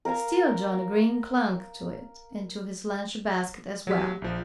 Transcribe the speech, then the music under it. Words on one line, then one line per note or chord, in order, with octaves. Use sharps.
Still Johnnie Green clung to it and to his lunch basket as well.
A#4 F5 G#5 A#5
F#3 G4 B6
A#1 F3